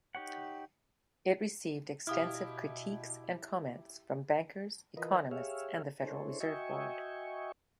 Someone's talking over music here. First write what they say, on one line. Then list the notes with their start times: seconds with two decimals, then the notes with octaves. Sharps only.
It received extensive critiques and comments from bankers, economists, and the Federal Reserve Board.
0.15 D#4 G4 C#5 F#5
2.07 B2 E4 G4 F5 D#6 F6
4.97 E3 F4 A#4 B4 D#5
5.31 G4 G#4 C#5 E5 F5
6.03 D4 E4 G#4 A4 C5 C#5
6.40 F#4 D#5 E5 G5 G#5 C#6